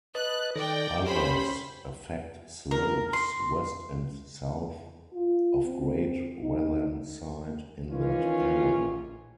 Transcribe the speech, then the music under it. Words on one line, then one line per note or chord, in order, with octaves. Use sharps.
Others affect slopes west and south of Great Whernside in that area.
B4 D#5 A5 F#6
D#3 A4 D5 G5 A#6
C#4 G4 C5 B5
A#4
C6
F4
C4
D#4
D#3 E3 C#4 F4